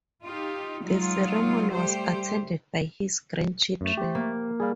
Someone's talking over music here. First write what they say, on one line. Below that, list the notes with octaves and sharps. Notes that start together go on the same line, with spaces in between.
The ceremony was attended by his grandchildren.
D#4 F4 G4
F#3 G#3 D#4 F4
G3 A3 G4 C5
F#2 A3
G4 C5
A#3
G3 G#4 F5